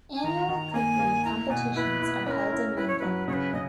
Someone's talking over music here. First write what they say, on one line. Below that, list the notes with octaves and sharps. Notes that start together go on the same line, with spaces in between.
Annual cookery competitions are held in Mengen.
G#5
D#3 A#5
D#3
A#3 G#5
A#3
E4 A#5
B2 G#5
E4 B4
E4
C#4 A#4 B4
E4
E4 B4
C#5
F#3 B4
C#3 C#5
B4
C#3 D#5